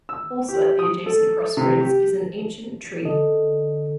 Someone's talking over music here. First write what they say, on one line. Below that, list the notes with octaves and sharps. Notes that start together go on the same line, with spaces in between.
Also at the adjacent crossroads is an ancient tree.
E6
G4
D#6
A4
C3
G4
D3 A4 D#5